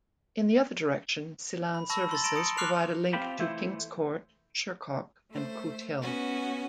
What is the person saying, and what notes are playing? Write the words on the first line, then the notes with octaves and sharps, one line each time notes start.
In the other direction Sillan services provide a link to Kingscourt, Shercock and Cootehill.
B5
A5 B5 C#6 E6 A#6
C6 A6
A#5 C6 A#6 D7 E7
D#6 C#7
C6 D6 F6 F#6 C7 F7
C4 F4 G4 C5 B5
E3 A3 E4 C5
A3 C5
B3 C#4 F#4